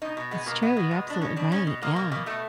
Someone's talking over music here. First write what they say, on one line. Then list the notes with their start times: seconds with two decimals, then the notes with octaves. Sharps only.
That's true, you're absolutely right, yeah.
0.02 B2 D#4
0.17 B2
0.31 G#3 B3
0.46 B2 A#3
0.62 G#3 B3
0.77 B2
0.91 G#3
1.07 B2 D4
1.21 B2 C#4
1.36 B2 D4
1.52 B2 C#4
1.67 B2
1.82 G#3 A#3
1.96 B2 A#3
2.11 B2 A#3
2.26 B2 A3